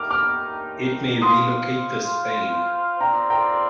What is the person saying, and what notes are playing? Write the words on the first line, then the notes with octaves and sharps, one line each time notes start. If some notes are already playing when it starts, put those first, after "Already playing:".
It may relocate to Spain.
Already playing: D#4 G4 A#4 D6 F6
D6 F6
F4 C5 F5 C6 D#6
C4 F4 A#4 D5 G5 A#5
G5 A#5